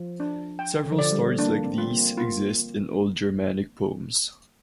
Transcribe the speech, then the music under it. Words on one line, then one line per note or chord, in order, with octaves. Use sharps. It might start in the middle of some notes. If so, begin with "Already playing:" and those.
Several stories like these exist in old Germanic poems.
Already playing: F3
D4
G5
D3
F3
D3 D5
G3
A#3 D4
C4
F4
A#3
A#3 F4